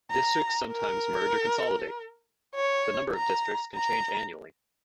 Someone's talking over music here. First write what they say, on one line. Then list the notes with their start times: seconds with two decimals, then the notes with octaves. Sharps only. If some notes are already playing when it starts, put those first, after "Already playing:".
Districts sometimes merge or consolidate; the number of districts can change annually.
0.11 A#5
0.72 A#4
2.55 C#5
3.15 A#5
3.75 A#5